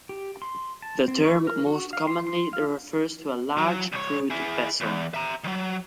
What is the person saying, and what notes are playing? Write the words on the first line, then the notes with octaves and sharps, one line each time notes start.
The term most commonly refers to a large, crewed vessel.
G4
C6
A5
C4
C#6
A#4
F#4
F5
C6
C6
F5
F#3
C2 C#5
E4 G#4
E2
E5 A#5
D#3 F#3